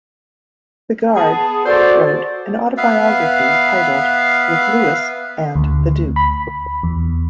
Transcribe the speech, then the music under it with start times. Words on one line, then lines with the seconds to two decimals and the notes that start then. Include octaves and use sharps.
Bigard wrote an autobiography entitled "With Louis and The Duke".
1.16 B3 G#4 A5
1.66 F#4 A4 C5 D5
2.77 B3 B4 E5 F5
5.56 D2
6.16 B5
6.83 E2